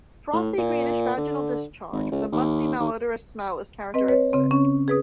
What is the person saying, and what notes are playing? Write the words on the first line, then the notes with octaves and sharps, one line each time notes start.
'Frothy', greenish vaginal discharge with a 'musty' malodorous smell is characteristic.
A2
A#2
D3
G#1
C#2
D#2
D#2
C4 B4 D#5
B4 C#5
C#3 C4
C#4
G#4 B4 D#6